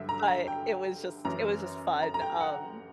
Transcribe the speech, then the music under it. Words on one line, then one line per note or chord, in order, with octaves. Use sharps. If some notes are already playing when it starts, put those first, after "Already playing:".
But it was just it was just fun, um
Already playing: G2 D3 F#3 E5
A#5
A#5
G5
F#2 E3 A#5
A#5
A#5
G5
F#5